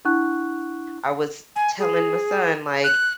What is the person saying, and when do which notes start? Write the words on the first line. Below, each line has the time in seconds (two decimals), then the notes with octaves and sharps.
I was telling my son, like
0.05 D4 E4 F#5 C#6 F#6
1.56 G#5
1.79 G#4
2.84 F#6